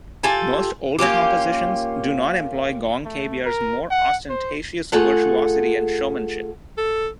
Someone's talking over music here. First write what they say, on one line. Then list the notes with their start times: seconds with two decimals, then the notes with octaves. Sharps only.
Most older compositions do not employ gong kebyar's more ostentatious virtuosity and showmanship.
0.23 F4 G4 A4 G#5
0.98 A#3 C#4 F4 G4
3.05 A3
3.46 A#4
3.91 F#5
4.29 C5
4.92 A3 F4 G#4 A4 F#5
6.78 A4